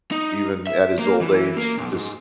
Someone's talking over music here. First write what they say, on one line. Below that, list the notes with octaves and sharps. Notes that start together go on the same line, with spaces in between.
even at his old age, he just
D#4
E5
A#3
E3
A#3
B1
G#2